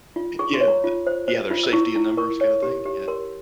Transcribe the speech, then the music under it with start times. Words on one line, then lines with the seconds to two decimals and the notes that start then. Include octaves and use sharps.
yeah, the yeah, there's safety in numbers kinda thing, yeah.
0.16 F4
0.39 G#4 C#6
0.54 C6
0.61 C#5
0.68 A#5
0.84 F4
1.07 C5
1.28 C5
1.51 F4
1.63 E6
1.73 E4 C#6
1.95 E4
2.17 A#4 C#6
2.41 C#5
2.63 G4
2.86 G4
3.08 A#4 C6